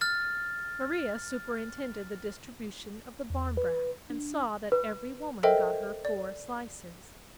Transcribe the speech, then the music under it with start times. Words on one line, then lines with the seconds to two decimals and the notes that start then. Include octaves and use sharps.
Maria superintended the distribution of the barmbrack and saw that every woman got her four slices.
0.01 F6 A6
3.30 E2
3.57 B4
4.10 D4
4.72 B4
5.43 A4 A#4 C5 D#5 E5 G5
6.05 D5